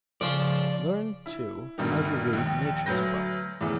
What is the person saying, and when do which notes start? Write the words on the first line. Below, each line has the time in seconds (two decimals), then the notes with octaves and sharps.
Learn, too, how to read Nature's book.
0.21 C#3 F3 F4 D5
1.26 E4
1.78 D2 G2 B2 D#3
2.33 A#1 D#2
2.86 D2 F#3 B4 G6 A#6
3.61 E2 A2 C#3 E3